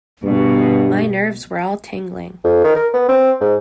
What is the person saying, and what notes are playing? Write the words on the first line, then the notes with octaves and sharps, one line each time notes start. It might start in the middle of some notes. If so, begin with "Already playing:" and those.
My nerves were all tingling.
G2 B2
F2
D#3
A#4
B3
C4
G#2